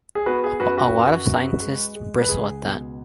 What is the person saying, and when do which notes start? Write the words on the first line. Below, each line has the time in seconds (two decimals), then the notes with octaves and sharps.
A lot of scientists bristle at that.
0.15 G#4
0.26 B3 F#4 B4
0.44 G#4
0.60 F#2 F#4 B4
0.77 F#4 B4
0.94 F#2
1.27 F#2
1.61 G#3
1.95 G#3
2.22 B4
2.28 C#2 G#4
2.63 B2